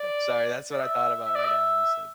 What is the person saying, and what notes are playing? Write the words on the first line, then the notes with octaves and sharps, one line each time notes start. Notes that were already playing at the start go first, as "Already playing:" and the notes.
Sorry, that's what I thought about right now when you said
Already playing: D5
D5
E5
E5
D5
E5